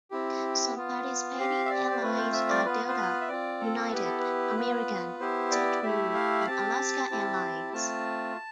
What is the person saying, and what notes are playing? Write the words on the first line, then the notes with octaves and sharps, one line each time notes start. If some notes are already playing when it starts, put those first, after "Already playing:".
Some participating airlines are Delta, United, American, Jet Blue, and Alaska Airlines.
C4 E4 G4
B3 F4
C4 G4 F5
E5
D5
C5
A3 C4 F4 B4
C5
E5
D5
B3 F4 B4
C5
B4
E5
C4 F4 D5
A4
B3 E4 G4 B4
A4
B4
B3 F4
B3 E4 G4 C5
D5
A3 E4 G4 E5
F5
B5
C4 G4 A5
C4 E4 G4
A3 C4 F4 A5